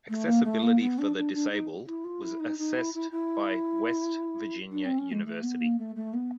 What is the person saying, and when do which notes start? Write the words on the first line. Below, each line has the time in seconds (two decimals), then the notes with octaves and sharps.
Accessibility for the disabled was assessed by West Virginia University.
0.09 A3
0.26 A#3
0.44 A3
0.62 A#3
0.80 B3
0.98 D4
1.16 D4
1.33 D4
1.50 D#4
1.86 E4
2.04 F4
2.22 E4
2.39 D#4
2.58 D#4
2.75 E4
2.93 E4
3.11 E4
4.71 D4
4.84 C4
4.98 C#4
5.11 G#3
5.25 A3
5.42 B3
5.60 A#3
5.78 A3
5.95 A3
6.13 B3